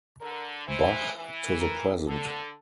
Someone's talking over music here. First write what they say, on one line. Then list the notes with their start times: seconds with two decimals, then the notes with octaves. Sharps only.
Bach to the present.
0.21 D3 A#4
0.67 E3 C5
1.14 E3
1.60 A#4
2.07 D3 A4